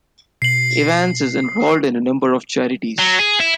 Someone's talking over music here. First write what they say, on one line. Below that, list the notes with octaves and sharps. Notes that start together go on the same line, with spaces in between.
Evans is involved in a number of charities.
B2 C7 F#7
F#3
G#4
E4